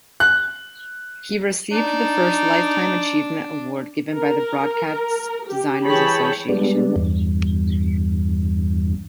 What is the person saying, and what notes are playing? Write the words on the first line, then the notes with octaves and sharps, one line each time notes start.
He received the first Lifetime Achievement Award given by the Broadcast Designers Association.
F#6
D4 D#4
A#4
G4
E3 G#4 C#5 G5 A5 B5
G3 G#3 B3 D4
E2 G2